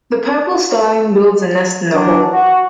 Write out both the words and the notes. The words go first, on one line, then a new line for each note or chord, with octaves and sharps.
The purple starling builds a nest in a hole.
F#3 D4
F#4